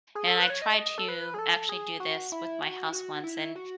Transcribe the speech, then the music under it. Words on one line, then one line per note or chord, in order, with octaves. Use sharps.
and I tried to actually do this with my house once, and
G#4
A4
B4
C#5
D#5
A4
B4
G#4
A4
G#4
F#4
E4
F#4
E4
F#4
E4
F#4